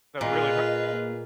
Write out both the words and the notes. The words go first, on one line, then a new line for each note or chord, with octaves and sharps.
that really h
A#2 F4 G#4 B4 D#5
A#3